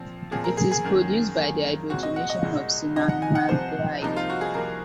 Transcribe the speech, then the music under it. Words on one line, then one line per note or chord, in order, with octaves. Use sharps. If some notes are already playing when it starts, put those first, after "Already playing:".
It is produced by the hydrogenation of cinnamaldehyde.
Already playing: A#2 F3 C4
A#2 F3 C4 G#4
A#4
G#4
G#4
F#2 D#3 A#3
F#2 D#3 A#3
C2 A#2 G#3 C4 F#4
D#5
F#5
D#5
C2 A#2 G#3 C4
C2 C3 F3 D#5
F#5
G#5
F#5
C2 C3 F3 C5
C2 C3 F3 A#3 D#4
F4
F#4
G#4
C2 C3 F3 A#3 A#4